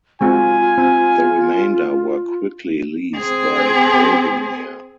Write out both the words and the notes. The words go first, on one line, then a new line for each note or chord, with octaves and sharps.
The remainder were quickly leased by Colgan Air.
G#3 C4 F4 F#4 G#5
C4
C4 G#4